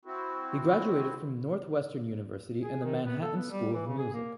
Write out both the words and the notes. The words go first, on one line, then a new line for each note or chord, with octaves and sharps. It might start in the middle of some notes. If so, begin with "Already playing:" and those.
He graduated from Northwestern University and the Manhattan School of Music.
C4 E4 F#4
G#4
D#3
B3
A4
B3
G3
E3
C#3
G#4
A#3